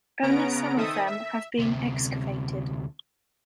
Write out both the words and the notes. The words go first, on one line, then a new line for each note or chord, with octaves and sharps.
Only some of them have been excavated.
C#3 B3 C#4 A#5 D7
D#3 C4 A4 E5 D#6
E5
D2 C3